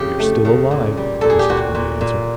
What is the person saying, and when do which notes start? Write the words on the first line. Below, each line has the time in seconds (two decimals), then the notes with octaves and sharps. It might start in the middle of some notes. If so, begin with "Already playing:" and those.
"We are still alive," was his only answer.
Already playing: F2 C#3 G4
0.19 A3
0.45 C#3
0.71 A#2
0.97 G3
1.21 A#2 A4
1.30 G#4
1.39 G4
1.49 A#2 F#4
1.75 A#2
2.01 A#2